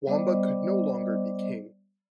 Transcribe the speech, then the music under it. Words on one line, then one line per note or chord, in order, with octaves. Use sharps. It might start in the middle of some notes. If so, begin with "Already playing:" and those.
Wamba could no longer be king.
G3 B3 C5 D5 D#5 D6